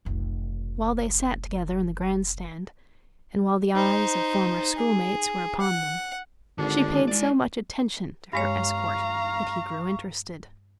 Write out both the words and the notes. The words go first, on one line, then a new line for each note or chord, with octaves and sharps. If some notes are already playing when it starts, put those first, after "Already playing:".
While they sat together in the grand-stand and while the eyes of former schoolmates were upon them, she paid so much attention to her escort that he grew interested.
F1 B1
D#4 C5
G#4
F#5
G#1 D3 D4
G#3 E4 D5
G2 G#3 C#5 F5 A#5 C#6